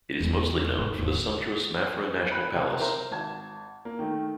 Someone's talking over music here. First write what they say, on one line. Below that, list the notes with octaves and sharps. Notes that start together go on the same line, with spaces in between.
It is mostly known for the sumptuous Mafra National Palace.
E2 G3
G#2 D#3
D#2 D3
C#4
B5 F#6
C3
A#4 C5 E5 A#5 G6
G#1 A5 G#6
A#3
D#3 A3